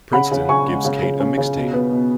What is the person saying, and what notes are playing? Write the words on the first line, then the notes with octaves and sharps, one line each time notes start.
Princeton gives Kate a mixtape.
C#3 F#5 B5
C#3
C#3 G#5 C#6
G#3
C#3
C#3
C#4
C#3
B2
B3
B2